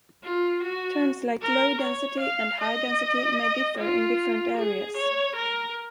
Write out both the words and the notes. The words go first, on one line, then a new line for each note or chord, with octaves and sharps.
Terms like low density and high density may differ in different areas.
F4
F#4
A#4
C#5
F5
D#5
F4
G#4
C#5
A#4